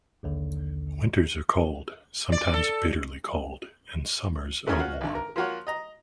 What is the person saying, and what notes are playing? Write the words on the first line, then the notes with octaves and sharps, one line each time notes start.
Winters are cold, sometimes bitterly cold, and summers are warm.
A#1 D#2 D3
D5
A4
E3 A3 B3 C#4 G#4 A#4
C#4 F4 F#4
G#1 D3
A#4
F3 A#3 F4 F#4 C#5
D#5 A#5